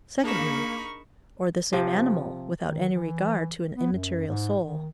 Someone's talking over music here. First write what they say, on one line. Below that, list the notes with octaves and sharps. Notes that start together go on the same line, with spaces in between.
Secondly, or the same animal, without any regard to an immaterial soul.
A#3 D4 D#4 G#4 A#4 B5 C#6 E7
C3 F3
D#3
E3
B3
F#2
G#2
D#3